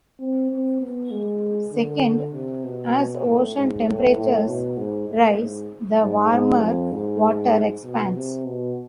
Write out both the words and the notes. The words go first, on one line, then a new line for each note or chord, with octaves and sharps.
Second, as ocean temperatures rise, the warmer water expands.
C4
C4
B3
G#3
D3
C3
B2
A2
G#2
A2
A2
B2
G#2
A2
G#2
G#2
G#2
F2
G#2
B2
C3
B2